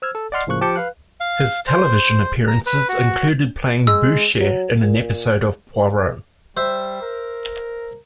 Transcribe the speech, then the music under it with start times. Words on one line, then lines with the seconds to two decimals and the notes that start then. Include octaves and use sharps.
His television appearances included playing Boucher in an episode of Poirot.
0.02 C5 E6 F6 G#6
0.15 A4
0.32 D5 D#5 F#5 C6 F6 C7
0.47 A2 C#3 F3 A#3 C#6 F#6
0.61 F3 G4 A5 D6 G6 C#7
0.76 B4 F5 F#6
1.20 F5
1.67 C5
2.48 A#5
2.66 B4
2.89 F#4
3.87 G#3 E6
4.40 F#3
4.82 A#2
6.57 G3 C5 E5
7.02 A#4